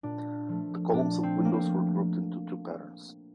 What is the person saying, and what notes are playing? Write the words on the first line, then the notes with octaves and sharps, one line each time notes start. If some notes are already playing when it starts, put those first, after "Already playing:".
The columns of windows are grouped into two patterns.
A#2 D4
F3 A3
A#2 D4
C4
F3 A3
A#3
C4